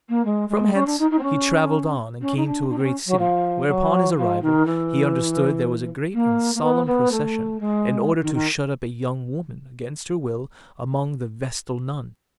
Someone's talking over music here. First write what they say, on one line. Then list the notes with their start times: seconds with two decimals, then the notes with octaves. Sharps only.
From hence he travelled on, and came to a great city, where, upon his arrival, he understood there was a great and solemn procession, in order to shut up a young woman, against her will, among the vestal nuns.
0.09 A#3
0.24 G#3
0.49 G#3
0.74 C#4
0.86 D4
0.98 D#4
1.10 D#4
1.18 C4
1.22 C#4
2.21 C#4
2.36 D#4
2.46 D4
2.69 D4
2.78 C4
2.82 C#4
3.06 F#3
3.18 F3
3.67 F#3
4.12 E3
4.17 F3
4.42 D#3
4.65 E3
6.13 A#3
6.54 A#3
6.61 B3
6.86 B3
7.11 A3
7.60 G#3
8.21 D#3
8.33 D#3